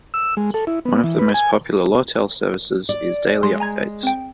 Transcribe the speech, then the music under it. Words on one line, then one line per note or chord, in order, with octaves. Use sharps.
One of the most popular Lawtel services is Daily Updates.
E6
G#3
A4
E4
B3
E3
B4
G#5
D5
G#3 C6
G#5 A#5 G#6
C4 G5